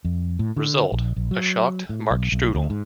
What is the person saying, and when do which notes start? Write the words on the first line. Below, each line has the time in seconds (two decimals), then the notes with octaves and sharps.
Result: a shocked Mark Strudal.
0.05 F2
0.39 A2
0.56 D3
0.92 A#1
1.16 A#1
1.31 F#3
1.89 A2
2.11 B1
2.32 B1
2.55 D2
2.70 G#2